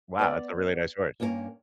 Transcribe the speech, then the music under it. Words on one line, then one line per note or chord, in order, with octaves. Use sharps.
"Wow, that's a really nice horse."
B3 D5
G2 A#3 C#4 F#4 A#4